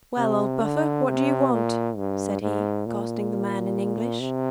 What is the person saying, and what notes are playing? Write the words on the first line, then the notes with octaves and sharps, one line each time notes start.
"Well, old Buffer, what do you want?" said he, accosting the man in English.
C3
D3
C3
A#2
G2
G#2
A#2
C3